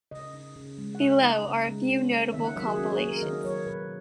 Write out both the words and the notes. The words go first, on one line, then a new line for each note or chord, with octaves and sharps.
Below are a few notable compilations.
C#3 D#5
D#4
C#3
G#3
F#5
C#3 E5
D#4 D#5
C#3
G#3
C#4
A#3
D#3 E5
F#5
F#3 E5
G#4
C#4 F#4
G#4
A#3
A#4
D#3 D#5
F#3 C#5
B2 B4